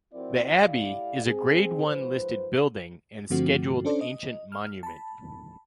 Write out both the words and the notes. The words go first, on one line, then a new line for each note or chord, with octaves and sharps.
The abbey is a Grade One listed building and Scheduled Ancient Monument.
F3 C4 E4 F#4 A#4 D5
A2 E4 G4 D5 F5
C4 G#4
G#2 F3 B4 C5
G2 D3 F3 A3 C4 F#4
C#4 D4 A4 C5 D5
D#5
F6
A5 B5